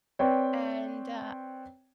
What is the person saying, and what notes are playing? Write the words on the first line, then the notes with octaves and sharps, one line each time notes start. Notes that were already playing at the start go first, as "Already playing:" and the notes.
and, uh
C4 B4 C#5 D5 G5